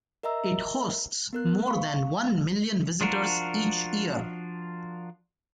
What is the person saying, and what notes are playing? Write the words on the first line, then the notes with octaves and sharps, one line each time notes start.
It hosts more than one million visitors each year.
A#4 D#5 E5 A#5 E6
B3 A#4 F#6
F5 C#6
F3 D4 F4 F#4 A#4